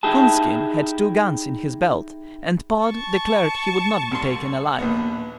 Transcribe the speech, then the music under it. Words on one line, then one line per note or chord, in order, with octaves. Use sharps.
Coonskin had two guns in his belt, and Pod declared he would not be taken alive.
D#4 E4 G4 G#4 A5
A5 C#6
C2 C6
A#1 D#2 B3